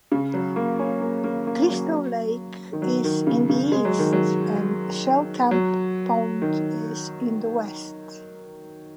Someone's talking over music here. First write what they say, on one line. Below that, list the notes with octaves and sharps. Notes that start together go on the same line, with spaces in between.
Crystal Lake is in the east, and Shellcamp Pond is in the west.
C#3
F#3
A#3
C#4
A#3
A#3
A#3
F#3
D#3
F#3
D#3
C#3
C#3
G#3
F#3
D#3
F#3
F#3
D#3